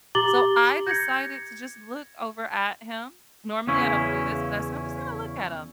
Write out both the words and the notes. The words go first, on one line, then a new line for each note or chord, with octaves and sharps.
So, I decided to just look over at him. Normally, I don't do this, but I said, "I'm just gonna look at him."
G4 A#5 D6 A6 F#7 G7
G6 G#6 A#6 C#7
E2 C#3 C#4 E4